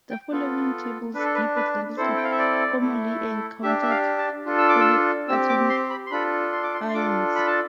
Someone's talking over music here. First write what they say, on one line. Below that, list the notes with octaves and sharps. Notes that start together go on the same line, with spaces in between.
The following tables give examples of commonly encountered polyatomic ions.
G5
B3 F4 A4
D4 A4 B4
A4
B4
B4
C4 E4 A4 C5
G5
F5
E5
D5
A3 E4 A4
D4 G4 E5
E5
F5
A5
D4 F4 A4
E6
D6
E6
C4 G4 E6
D6
C6
B5
C6
D4 F4 A4 B5
C6
D6
C6
C6
D4 F4 A4 D6
B5
A5